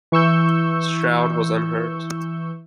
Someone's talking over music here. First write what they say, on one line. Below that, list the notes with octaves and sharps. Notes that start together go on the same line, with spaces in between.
Stroud was unhurt.
E3 C#6 E6 G6